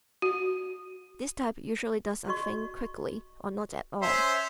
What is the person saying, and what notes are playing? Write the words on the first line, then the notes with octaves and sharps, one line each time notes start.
This type usually does a thing quickly or not at all.
F#4
F#4 D#5 C#6
C#4 C5 E5 C6